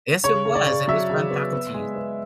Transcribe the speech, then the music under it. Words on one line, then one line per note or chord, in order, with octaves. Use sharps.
Yes, it was, it was fun talking to you.
C#3 C#5
C#3
D5
C#3
F#3 E5
C#3
B3
B3
G#3
B3